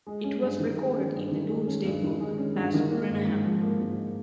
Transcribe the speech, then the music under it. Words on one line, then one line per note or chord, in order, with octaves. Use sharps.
It was recorded in the Domesday Book as "Greneham".
G#3
C#4
G2
D#3
G#3
C#4
G2
D#3
G#3
C#4
G2
D#3
G#3
C#4
G2
D#3
A#3
G#2
G#2
F3
A#3
G#2